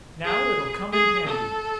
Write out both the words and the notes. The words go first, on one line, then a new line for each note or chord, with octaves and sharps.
Now it'll come in handy.
G#4
G#4
A4